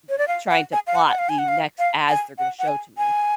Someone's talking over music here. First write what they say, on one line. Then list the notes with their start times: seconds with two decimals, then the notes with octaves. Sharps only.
n trying to plot the next ads they're gonna show to me?
0.09 C#5
0.18 D5
0.28 F5
0.50 F#5
0.73 G#5
0.87 F5
0.95 F#5
1.08 F#5
1.19 F5
1.29 G#5
1.39 F#5
1.48 F5
1.79 F5
2.09 G#5
2.38 F#5
2.59 F#5
2.68 G#5
2.98 G#5